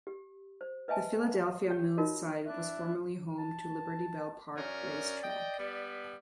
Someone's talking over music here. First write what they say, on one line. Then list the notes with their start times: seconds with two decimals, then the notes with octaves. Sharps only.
The Philadelphia Mills site was formerly home to Liberty Bell Park Racetrack.
0.07 G4
0.61 C5
0.88 B4 D#5 E5 G#5 A5
1.70 G4 C#5 G5
1.98 D#4 F4 F#4 A#4 D#5
2.44 D4 E4 E5 F#6
3.38 A5
4.58 F#2 C#4 A#4 D5
5.24 D#5 G5
5.59 G3 B3